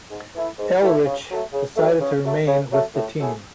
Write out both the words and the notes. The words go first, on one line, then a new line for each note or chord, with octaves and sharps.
Elric decided to remain with the team.
G#2
E3 A3 E4
G#2
E3 A3 E4
C#3
F#3 A3
C#3
F#3 A3
C#3
F#3 A3
C#3
F#3 A3
A2
F#3 A3 E4 G#4